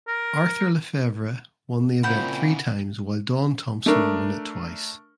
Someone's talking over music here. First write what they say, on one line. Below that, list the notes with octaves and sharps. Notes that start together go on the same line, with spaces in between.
Arthur Le Fevre won the event three times while Don Thomson won it twice.
A#4
A#2 C#3 A#3 C4 E4 F#5 B5 G6
A3 D4 A#4